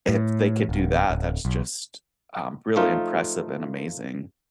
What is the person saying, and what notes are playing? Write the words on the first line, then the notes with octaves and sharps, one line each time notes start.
if they could do that, that's just, um, really impressive and amazing.
A2
D1
D1
B1
F3 A3 D#4 F4